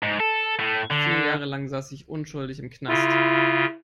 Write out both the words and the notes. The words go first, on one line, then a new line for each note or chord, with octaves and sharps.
Vier Jahre lange saß ich unschuldig im Knast.
G#2
A4
A2 A3
D3
C#3 E4 F4